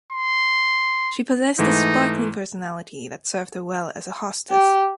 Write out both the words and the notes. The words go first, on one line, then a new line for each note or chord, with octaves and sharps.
She possessed a sparkling personality that served her well as a hostess.
C6
G#2 E3 A3 D#4
G4